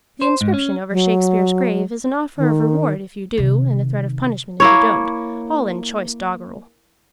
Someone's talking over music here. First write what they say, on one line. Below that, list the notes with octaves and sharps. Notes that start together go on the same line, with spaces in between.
The inscription over Shakespeare's grave is an offer of reward if you do, and a threat of punishment if you don't, all in choice doggerel.
C5
G#2
C#4
F#3
D#3
C3 D#3
A#3 E4 C#5